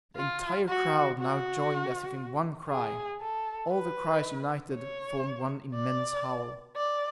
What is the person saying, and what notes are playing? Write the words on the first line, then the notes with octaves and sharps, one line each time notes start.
The entire crowd now joined as if in one cry; all the cries united formed one immense howl.
F4
F#4
F#4
G#4
A4
B4
C#5
D5
D5